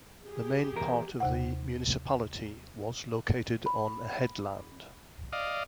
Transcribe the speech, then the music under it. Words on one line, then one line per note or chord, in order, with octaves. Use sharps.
The main part of the municipality was located on a headland.
G4 G#4
E2 A#4
D#2 C3 F#5
B5
D5 D#5 F5